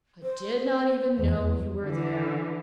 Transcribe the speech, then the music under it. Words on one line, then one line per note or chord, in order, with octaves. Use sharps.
"I did not even know you were there."
C5
E2
D3 E3